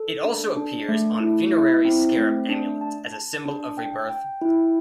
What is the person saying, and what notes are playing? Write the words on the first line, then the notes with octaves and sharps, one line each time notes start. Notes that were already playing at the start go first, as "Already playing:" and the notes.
It also appears on funerary scarab amulets as a symbol of rebirth.
Already playing: A4
D4
D4
A3
E4
E4
C4
A3
D4
A5
A5
D4
G5
G5
E4